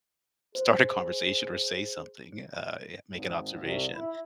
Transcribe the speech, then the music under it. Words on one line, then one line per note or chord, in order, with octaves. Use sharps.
start a conversation or say something, uh, ye make an observation.
G#4 C5
G#1
C2
E4